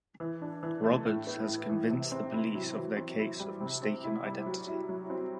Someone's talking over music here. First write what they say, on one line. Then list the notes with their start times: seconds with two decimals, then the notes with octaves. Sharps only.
Roberts has convinced the police of their case of mistaken identity.
0.20 E3
0.42 D4
0.63 E3
0.84 A3
1.05 A2
1.27 B3
1.48 A2
1.69 E3
1.91 C3
2.12 C4
2.33 E4
2.55 F#3
2.76 E3
2.97 C4
3.19 E4
3.39 G3
3.61 C3
3.83 C4
4.04 E4
4.24 G3
4.46 F#3
4.68 E4
4.89 F#3
5.10 C4